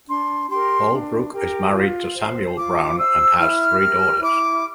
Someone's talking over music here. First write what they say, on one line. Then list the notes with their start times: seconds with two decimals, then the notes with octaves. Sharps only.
Holbrook is married to Samuel Brown and has three daughters.
0.08 D4 C6
0.49 G4 A#4 C6
0.91 D4
1.32 G4 A#4
1.73 F4
2.14 C5
2.56 F4 D6
2.97 C5 E6
3.38 E4 F6
3.79 G4 A#4
4.20 E4 D6